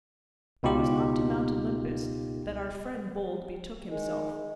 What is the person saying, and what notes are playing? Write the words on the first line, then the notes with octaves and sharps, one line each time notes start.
It was not to Mount Olympus that our friend Bold betook himself.
C#2 B2 D#4 F4 G4
D#3 G#3